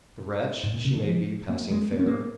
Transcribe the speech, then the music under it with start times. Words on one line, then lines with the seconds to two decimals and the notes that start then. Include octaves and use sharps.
The wretch, she may be passing fair.
0.63 G#2
0.74 A#2
0.85 C#3
0.95 D#3
1.07 F3
1.49 A#3
1.71 G#3
1.92 A#3
1.99 C#4
2.06 A#3